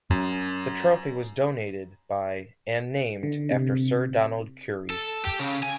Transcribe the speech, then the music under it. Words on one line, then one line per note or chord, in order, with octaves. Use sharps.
The trophy was donated by and named after Sir Donald Currie.
F#2
D3
C3
A4
G4
C#3
G#5